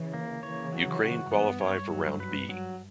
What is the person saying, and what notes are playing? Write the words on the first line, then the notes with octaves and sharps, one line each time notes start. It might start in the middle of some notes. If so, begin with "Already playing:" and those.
Ukraine qualify for Round B.
Already playing: C#3 E3
A#3
C#3 E3 C#5
F#3
F#4
G2 B3
C#5
F#3
B4
F#3